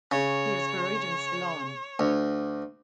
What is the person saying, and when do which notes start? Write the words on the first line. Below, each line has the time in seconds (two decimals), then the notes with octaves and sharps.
He is buried in Ceylon.
0.12 C#3 C#5
1.99 D2